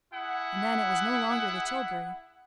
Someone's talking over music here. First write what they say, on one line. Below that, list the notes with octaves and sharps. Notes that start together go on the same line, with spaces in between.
And then, it was no longer the tilbury.
E4 G#4 F#5